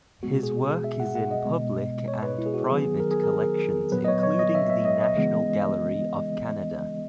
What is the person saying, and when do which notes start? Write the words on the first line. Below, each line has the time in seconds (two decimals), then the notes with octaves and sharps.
His work is in public and private collections including the National Gallery of Canada.
0.23 B2 G#3 B3 F#4
0.43 G#4
0.84 E5
1.00 F#5
1.15 F#5
1.31 D#5
1.45 B2 G#3 B3
2.08 C#5
2.23 B4
2.38 E4
2.46 G#4
2.54 F#4
2.69 D#3 F#3 B3 G#4
3.00 A#4
3.11 G#4
3.24 A#4
3.92 A#2 F#3 B3 B4
4.04 D#5
4.08 C#5
4.23 C#5
4.39 D#5
4.55 E5
4.70 E5
4.85 D#5
5.01 D#5
5.16 C#3 E3 G#3 B3